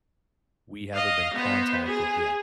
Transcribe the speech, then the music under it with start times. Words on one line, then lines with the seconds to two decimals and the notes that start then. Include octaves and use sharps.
we haven't been contacted yet?
0.94 D#5 F5
1.34 B3 C5
1.85 G#4